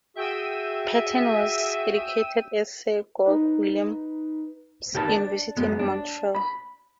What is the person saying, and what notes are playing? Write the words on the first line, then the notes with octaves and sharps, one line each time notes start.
Patten was educated at Sir George Williams University in Montreal.
F#4 G#4 E5 G5 E6 D#7
D#4 B4
D#3 G4 A#4 B4 A5
D4
F#2 G#3 B3
D4
B5